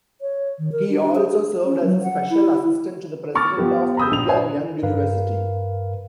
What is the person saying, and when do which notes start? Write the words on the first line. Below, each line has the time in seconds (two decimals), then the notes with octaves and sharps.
He also served as a special assistant to the president of Brigham Young University.
0.21 C#5
0.59 D#3
0.72 A#4
0.90 D4
1.15 G#4
1.31 G#4
1.65 C#4
1.84 F#3
2.03 F#5
2.30 E4
3.35 A#5 C#6 D6 F6 A6
3.57 F3 B3 G4
3.97 A#5 B5 D#6 E6 G6
4.11 A#1 B5 D#6 F7
4.28 B4 C5 D5 E5 G#5
4.83 G2 A#4 B4 F5